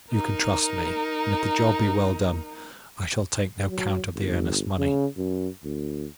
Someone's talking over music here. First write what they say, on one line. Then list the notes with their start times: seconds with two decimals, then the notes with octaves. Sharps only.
You can trust me, and if the job be well done I shall take no count of the earnest money.
0.12 D#4 A#4
3.69 F#3
4.14 G1
4.78 C#3
5.17 F#2
5.64 D2